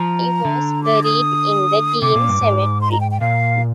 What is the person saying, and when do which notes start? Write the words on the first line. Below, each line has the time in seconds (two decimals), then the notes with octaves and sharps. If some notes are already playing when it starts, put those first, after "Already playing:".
He was buried in the Dean Cemetery.
Already playing: F3 A#5
0.45 D3
0.83 D6
1.04 D#6
2.02 C3 D6
2.15 A#2
2.28 G2
2.41 G#2
2.81 C6
2.92 A#5
3.01 G5
3.11 G5
3.20 A#2 F5